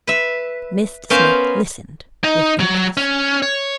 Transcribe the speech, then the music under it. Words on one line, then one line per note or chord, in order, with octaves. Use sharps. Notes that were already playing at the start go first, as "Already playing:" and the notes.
Mr Smith listened with interest.
B4 E5
B3 C#4 A#4 C5 E5 F5
D#4
F#3
C#4
C#5